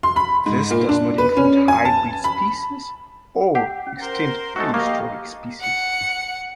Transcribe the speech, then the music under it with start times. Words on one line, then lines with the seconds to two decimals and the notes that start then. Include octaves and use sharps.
This does not include hybrid species or extinct prehistoric species.
0.03 C6
0.16 B5
0.46 G#2
0.71 A#2
0.89 D4
1.18 B4
1.37 C#4
1.68 G#5
1.85 A5
2.24 B5
3.55 G4 F#5
3.87 C#4
4.01 A#4 C5 C6
4.56 G#3 A3 D#4 F#4 A4
4.74 A#3 G4 D#5 F5 C#6
5.60 F#5 C#7